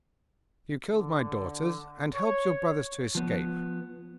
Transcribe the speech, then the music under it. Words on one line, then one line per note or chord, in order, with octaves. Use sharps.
You killed my daughters and helped your brothers to escape.
D3
C#5
F3 B3